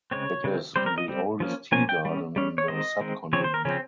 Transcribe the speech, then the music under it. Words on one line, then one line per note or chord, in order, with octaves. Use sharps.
It is the oldest tea garden in the subcontinent.
C#3 G#3 C4 C#5
C#3 G#3 C4
G3 C4 C5
A#4
D#5
G3 C4
F3 A#3 C#4
F3 A#3 C#4 G#5
G5
G3 C#4
G3 C#4
C#5
D#3 G#3 C4 D#5
D#3 G#3 C4
C#3 F3 C4 C#5
C5
A#4
C#3 F3 C4 C#4